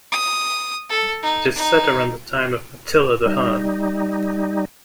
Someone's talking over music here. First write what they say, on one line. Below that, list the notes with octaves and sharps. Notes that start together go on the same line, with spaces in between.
It is set around the time of Attila the Hun.
D#6
A4
D#4
D#4
G3 D#4